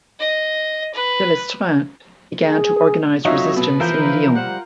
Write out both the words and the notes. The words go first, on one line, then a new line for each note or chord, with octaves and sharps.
Delestraint began to organize resistance in Lyon.
D#5
B4
G#4
F#3 C4 D#4 F4 A4 C#5 E5 F5
B2 B4
E3 F3 E4 F4 A#4 G6
G3 C5 F#5